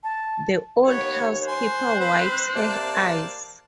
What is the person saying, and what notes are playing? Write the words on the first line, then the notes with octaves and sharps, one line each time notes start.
The old housekeeper wipes her eyes.
A5
D#2 B3 C#5
C5 G#5 C6 F#6
C4 B4
C3 A#3 D5 A5